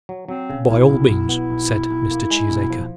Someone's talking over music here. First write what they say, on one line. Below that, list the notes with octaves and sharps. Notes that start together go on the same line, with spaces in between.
"By all means," said Mr. Cheesacre.
F#3
F#3 C4
C#3
B1 E4
B1
B1
B3
B1
B1
B1
A#3
G#3
B1
F3